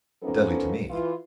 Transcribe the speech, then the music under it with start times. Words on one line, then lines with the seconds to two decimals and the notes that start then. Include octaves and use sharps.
Deadly to me!
0.23 F3 A#3 B3 C#4 D#4 A4
0.89 E3 F4